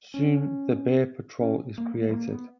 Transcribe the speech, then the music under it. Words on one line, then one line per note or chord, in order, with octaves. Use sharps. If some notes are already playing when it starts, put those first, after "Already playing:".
Soon, the Bear Patrol is created.
C#4
C#4
A#3
A#3
G#3
A#3
B3